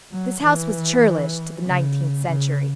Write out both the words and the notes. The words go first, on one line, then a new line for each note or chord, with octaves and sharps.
This house was churlish to the nineteenth century.
F#3
E3
C#3
C#3